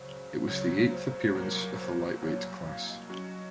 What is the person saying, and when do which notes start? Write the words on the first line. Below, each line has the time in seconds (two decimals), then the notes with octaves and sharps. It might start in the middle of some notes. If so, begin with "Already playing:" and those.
It was the eighth appearance of the lightweight class.
Already playing: C#2 C#3 F#3 C5
0.36 C5
0.47 C#2 C#3 F#3 C#5
0.90 C5
1.35 C2 A#2 F#3 A#3 A#4
1.78 C5
2.22 C2 A#2 F#3 A#3 C#5
2.65 F5
2.88 D#5
3.10 F#3 C#4 F#4